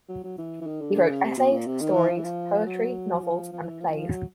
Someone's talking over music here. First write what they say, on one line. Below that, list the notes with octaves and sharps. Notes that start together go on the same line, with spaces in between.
He wrote essays, stories, poetry, novels and plays.
F#3
F#3
E3
E3
D#3
D3
D3
C#3
C3
B2
A#2
C3
D#3
E3
F3
E3
F3
F#3
F3
F3
E3
F3
E3
F3
F#3